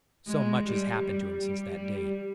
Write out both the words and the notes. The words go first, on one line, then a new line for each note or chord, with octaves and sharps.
So much has happened to him since that day.
G#3
G3
G3
G3
G3